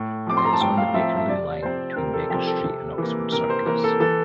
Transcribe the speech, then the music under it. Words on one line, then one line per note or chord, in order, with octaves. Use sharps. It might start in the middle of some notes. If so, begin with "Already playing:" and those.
It is on the Bakerloo line, between Baker Street and Oxford Circus.
Already playing: A2
F3 C4 D6
C6
A#5
A5
A2 G5
F5
F3 C4 E5
E5
C3 D5
F3 C4 C5
C3 A#4
A4
F3 C4 G4
A4
C3
E3 A#3
C3 A#4
C5
E3 A#3 A#4
A4
E3 A4